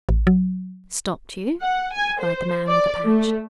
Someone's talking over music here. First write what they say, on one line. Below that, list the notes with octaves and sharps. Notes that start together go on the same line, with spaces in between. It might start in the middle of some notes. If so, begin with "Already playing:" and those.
"Stopped you?" cried the man with the patch.
A1
F#3
F#5
G#5
C5
D5
A3